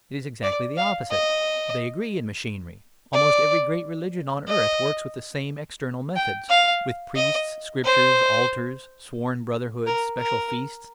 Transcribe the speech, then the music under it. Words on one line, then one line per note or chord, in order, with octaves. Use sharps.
It is exactly the opposite. They agree in machinery; almost every great religion on earth works with the same external methods, with priests, scriptures, altars, sworn brotherhoods, special feasts.
D5
F5
D#5
D5
D#5
G5
F5
D#5
C5
A#4
A#4